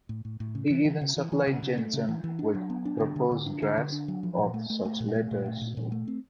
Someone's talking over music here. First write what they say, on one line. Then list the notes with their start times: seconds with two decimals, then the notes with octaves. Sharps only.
He even supplied Jensen with proposed drafts of such letters.
0.09 A2
0.25 A2
0.40 A2
0.55 C#3
0.70 E3
0.85 E3
1.01 C#3
1.17 E3
1.32 E3
1.47 C#3
1.63 C#3
1.78 A3
1.93 C#3
2.09 E3
2.24 E3
2.39 D4
2.55 F#3
2.70 B3
2.85 D4
3.00 D3
3.16 D3
3.31 D3
3.46 D4
3.62 D3
3.77 D3
3.92 D4
4.08 F#3
4.23 F3
4.38 A#2
4.54 A3
4.70 A3
4.85 A3
5.00 A#2
5.16 A3
5.31 A#2
5.46 A3
5.61 A#2
5.77 A#2
5.92 A3
6.08 C4